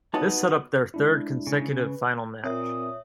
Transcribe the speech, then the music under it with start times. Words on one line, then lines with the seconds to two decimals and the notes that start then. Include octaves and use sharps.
This set up their third consecutive final match.
0.14 B3 D#4 F#4 C#5 A5
0.94 G#3 D4 E4
1.47 C#3
1.86 B4
2.44 A#2 C4 A#4 C#5 E5 D#6